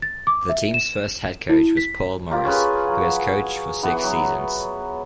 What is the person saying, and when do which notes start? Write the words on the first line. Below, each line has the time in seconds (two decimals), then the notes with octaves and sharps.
The team's first head coach was Paul Maurice, who has coached for six seasons.
0.02 A6
0.27 D6
0.49 E5
0.74 E7
1.49 E4
1.77 B6
2.31 F4 G4 A#4
2.45 C#4 G#4 B4 C#6
2.87 F#3
3.83 E3 B3
4.04 F#3